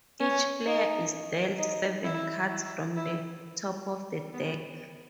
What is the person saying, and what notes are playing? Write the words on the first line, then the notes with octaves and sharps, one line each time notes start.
Each player is dealt seven cards from the top of the deck.
C#4
D#4
D#4
E4
E4
E4
B3